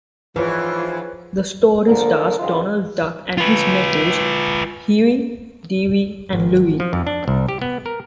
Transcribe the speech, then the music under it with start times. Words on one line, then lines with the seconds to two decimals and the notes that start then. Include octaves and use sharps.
The story stars Donald Duck and his nephews Huey, Dewey, and Louie.
0.36 G#2 E3 F3 F4 B4 C#5
1.87 D3 F3 A#4
2.39 C#2 G#2 D#3 F4
3.38 F4 B4
6.33 G#1
6.80 F3
6.93 F2
7.07 D4
7.28 C2
7.48 G4
7.62 B3
7.86 A#4